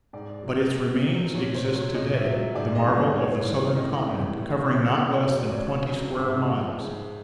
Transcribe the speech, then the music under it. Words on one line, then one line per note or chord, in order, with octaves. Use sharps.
But its remains exist to-day, the marvel of the Southern Continent, covering not less than twenty square miles.
G#2 D5
F#3
D#3
G#2
D#3 F#3
A#2 C#5
C5
F#3
C#5
A#2 D#5
E5
F#3
E5
G#2 D5
D#5
E3 G3
G#2 C#5
E3 G3
A2 D#5
E3 G3
A2
E3 G3
B2 D5
C5
F#3
D5
C#5
B2 D5
F#3
G#2 E5
F3
G#2